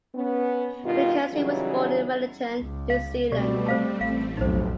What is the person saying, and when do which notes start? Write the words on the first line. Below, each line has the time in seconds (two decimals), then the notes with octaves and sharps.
McKenzie was born in Wellington, New Zealand.
0.15 B3 C#4
0.85 G2 B2 D#3 F4
1.33 C#3 E3 F#3 G3 C#4 D#4
2.59 C#2
2.90 F5
3.32 B2 G3 A3 C4 G4 D5
3.66 C5 F5 A5
4.01 A1 F5
4.37 B1 F2 D#4 C5